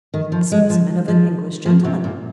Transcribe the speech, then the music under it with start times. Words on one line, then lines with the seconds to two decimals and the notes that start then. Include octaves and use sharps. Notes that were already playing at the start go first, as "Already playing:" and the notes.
"A specimen of an English gentleman."
0.14 D#3
0.32 F3
0.52 G#3
0.70 F3
1.08 F3
1.66 F3
1.84 C3
2.04 A#2